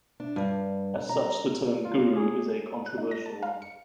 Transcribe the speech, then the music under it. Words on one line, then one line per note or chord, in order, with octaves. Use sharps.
As such, the term "guru" is a controversial one.
D4
G2
A#5
F4
G#4
F#6
D#4
A#6
A5
F5
C#7